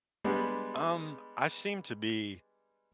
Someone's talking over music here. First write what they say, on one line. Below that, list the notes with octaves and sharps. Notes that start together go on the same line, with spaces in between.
Um, I seem to be,
G3 G#3 B3 D4